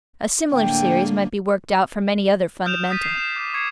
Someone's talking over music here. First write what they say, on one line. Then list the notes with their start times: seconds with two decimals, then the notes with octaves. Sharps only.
A similar series might be worked out from any other fundamental.
0.52 A2 D3 A#3 G5
2.65 D#6 F6 G6 D7 E7 F7
2.90 D#6 A6 B6 D#7
3.03 C7
3.18 E7
3.36 D6 G6
3.53 C#6 D6 G#6 C7 C#7